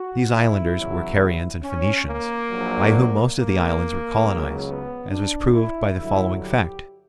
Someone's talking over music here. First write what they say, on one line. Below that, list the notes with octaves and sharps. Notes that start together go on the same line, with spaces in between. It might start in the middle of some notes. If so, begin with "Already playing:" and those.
These islanders were Carians and Phoenicians, by whom most of the islands were colonized, as was proved by the following fact.
Already playing: F#4
E4
E2 C#3 F#3
C#4
A#3
A#1 A#2 F#3
A#3
C#2 C#3 F#3
B3
D4
E4
G2 D3 F#3 E4
G4